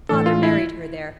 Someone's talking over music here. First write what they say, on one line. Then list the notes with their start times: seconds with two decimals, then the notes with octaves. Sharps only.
Father married her there.
0.09 A2 E3 A3 D4 A4
0.26 F4
0.43 E4